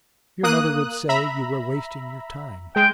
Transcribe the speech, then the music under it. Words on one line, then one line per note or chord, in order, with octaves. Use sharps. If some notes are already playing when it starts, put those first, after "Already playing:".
'Your mother would say you were wasting your time.
A#3 D#6 F#6
E5 A#5 B5
G#3 G5